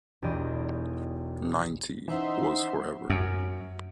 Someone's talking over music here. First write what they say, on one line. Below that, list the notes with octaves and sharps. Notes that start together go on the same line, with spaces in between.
"Ninety"... was forever.
E1 B1 E2 G4 D5 D#5
E3 C#4 D#4 C5 E5 F#5 C6
F#2